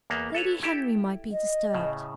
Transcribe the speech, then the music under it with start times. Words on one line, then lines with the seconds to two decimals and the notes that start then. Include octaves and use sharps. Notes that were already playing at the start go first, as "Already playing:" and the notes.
"Lady Henry might be disturbed."
0.10 E2 A#3 B3
0.35 A4 B4 C#5
0.63 E4 G4 A4
1.32 D#5
1.74 A2 C#3